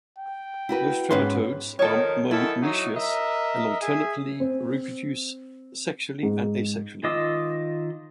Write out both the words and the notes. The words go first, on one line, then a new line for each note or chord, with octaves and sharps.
Most trematodes are monoecious and alternately reproduce sexually and asexually.
G5
E4 F#4 B4
G#2 B3 C#4 B4 C6
D#3 F3 A4 C#5
F#2 D#3 E4 A4
F#3 D#4
A#4 D#5 E5
G#4 E5
C4
G#2
D#3 F4 D#5 D6 E6